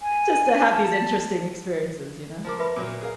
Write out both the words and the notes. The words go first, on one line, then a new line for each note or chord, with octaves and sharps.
just to have these interesting experiences, you know?
G#5
A5
F3 A#4 D6
B4 E5 B5
A#2 F#3 A#3
G#4 A#4 F5